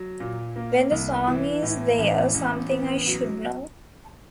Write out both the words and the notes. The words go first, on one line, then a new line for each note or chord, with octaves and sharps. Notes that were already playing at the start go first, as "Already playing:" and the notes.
When the song Is There Something I Should Know?
Already playing: F#3
A#2
A#3
C2
E3
A2
A1
A1
B3
F#3